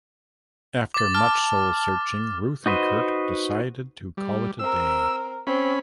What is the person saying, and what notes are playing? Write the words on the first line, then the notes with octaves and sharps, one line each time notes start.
After much soul- searching, Ruth and Kurt decided to call it a day.
D6 A6
A5 F6
D#4 F#4 B4 C5 D#5
G3
C4 A#4 E6
C4 C#4 B5